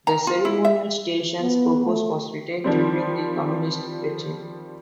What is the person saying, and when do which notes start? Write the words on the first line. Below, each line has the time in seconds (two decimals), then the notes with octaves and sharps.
The ceremonial station's purpose was retained during the communist regime.
0.07 A#5
0.27 F4
0.45 E4
0.65 E5
1.41 B3
1.85 A3
2.64 D#3 F3 G3 C4